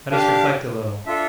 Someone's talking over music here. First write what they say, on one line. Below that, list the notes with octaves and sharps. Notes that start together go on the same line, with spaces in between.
Let us reflect a little.
D4 G4 F5
D4 F4 A4 E5